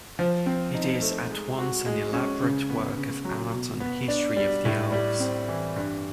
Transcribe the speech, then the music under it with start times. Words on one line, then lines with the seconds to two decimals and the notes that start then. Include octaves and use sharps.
It is at once an elaborate work of art and history of the elves.
0.19 F3
0.46 C4
0.74 D#4
1.02 A3
1.30 G#3
1.58 F#4
1.86 G#3
2.13 C#4
2.42 C#3
2.70 B3
2.98 C#3
3.25 F#3
3.54 B2
3.80 B3
4.08 D4
4.36 G3
4.65 A2
4.92 G3
5.20 C4
5.48 E3
5.76 G2